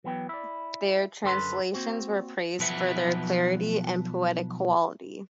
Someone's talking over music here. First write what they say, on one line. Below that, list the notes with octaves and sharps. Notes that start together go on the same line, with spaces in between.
Their translations were praised for their clarity and poetic quality.
E3 F#3 B3 G5
E4 D5
F#2 D3 A4 B4 C6
A#3 C4 F#4 C5
B1 F3 B4 E5 F#5